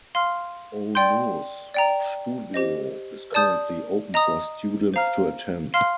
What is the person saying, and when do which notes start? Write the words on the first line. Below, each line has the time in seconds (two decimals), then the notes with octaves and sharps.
Ohno's studio is currently open for students to attend.
0.15 F5 C6 F6
0.95 D5 G5 C6 G6
1.74 D5 G5 A#5
2.54 G4 C5 D#5
3.34 D5 A5 D#6 G6
4.14 D#5 A#5 D#6
4.94 C5 F5 A#5 F6
5.74 F5 C6 F6